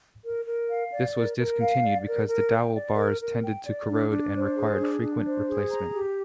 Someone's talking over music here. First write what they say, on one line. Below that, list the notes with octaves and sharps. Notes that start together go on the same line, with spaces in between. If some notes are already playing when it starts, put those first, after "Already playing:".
This was discontinued because the dowel bars tended to corrode and required frequent replacement.
A#4
A#4
F5
D5
A#4
A#4
F5
D5
A#4
A#4
G5
D5
A#4
A#4
G5
D5
D4
D4
C5
G#4
D4
D4
C5
G#4
A#5
G4